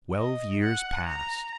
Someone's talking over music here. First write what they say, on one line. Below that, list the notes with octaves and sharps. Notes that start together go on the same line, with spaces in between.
Twelve years passed.
D#5
F#5
A#5